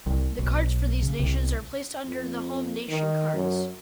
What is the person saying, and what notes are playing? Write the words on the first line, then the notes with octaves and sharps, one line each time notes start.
The cards for these nations are placed under the home nation cards.
C2
B1
C#3
C2
F2
D#3
F#2